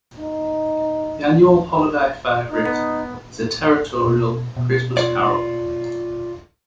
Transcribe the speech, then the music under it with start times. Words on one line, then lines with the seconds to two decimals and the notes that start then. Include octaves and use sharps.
The annual holiday favorite is A Territorial Christmas Carol.
0.19 D#4
2.50 D#4
2.65 B3
4.05 B2
4.57 B2
4.97 F4 C#5 D5